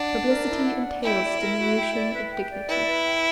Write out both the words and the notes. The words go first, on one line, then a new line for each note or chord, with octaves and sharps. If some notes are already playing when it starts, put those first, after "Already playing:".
Publicity entails diminution of dignity.
Already playing: D4 F#5
D5
A#4
E4
F#5
D5
E4 G5
D5
A#4
F#4
G5
D5
B4
G5
D5
E4 B4
B4
G5